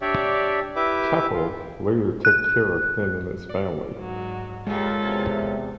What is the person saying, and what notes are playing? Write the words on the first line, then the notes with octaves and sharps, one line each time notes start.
Keppel later took care of him and his family.
D4 G4 C#5 D5 E5
E4 G4 B4 E5 D6
F4
F#6
D5
G#2 F#3
C#3 G3 G#3 A#3 F4 A4 A6
E2 C3